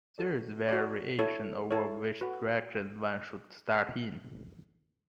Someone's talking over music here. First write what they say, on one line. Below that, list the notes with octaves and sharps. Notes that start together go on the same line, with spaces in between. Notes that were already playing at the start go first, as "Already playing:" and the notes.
There is variation over which direction one should start in.
F#4 A4 D5
F#4 A4 D5
E4 A4 C#5
E4 A4 C#5
F#4 B4 F#5